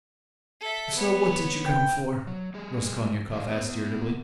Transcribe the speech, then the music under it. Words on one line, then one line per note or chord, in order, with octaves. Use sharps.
"If so, what did you come for?" Raskolnikov asked irritably.
A4 E5
B3 C#5
G5
F#3
G3 G#4
E3 G3 D5 F5
B3 E5